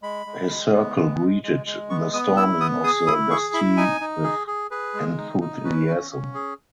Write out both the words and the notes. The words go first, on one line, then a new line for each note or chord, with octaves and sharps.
His circle greeted the Storming of the Bastille with enthusiasm.
G#3 B5
G#3
G#3
B3
G#3
G#3
G#3
G#3
B3 C#6
B3 D#6
E4 E6
B3 D#6
G#4 D#6
E4 D#6
G#4 C#6
E4 B5
D#4 G#5
D#4
G#4
G#4
G#4 B4
G#3
D#4
D#4
C#4 B4
C#4
C#4
G#4